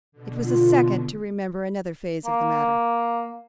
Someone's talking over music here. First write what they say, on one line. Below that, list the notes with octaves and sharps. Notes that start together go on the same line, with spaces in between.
It was a second to remember another phase of the matter.
B2 D3
F4
A#3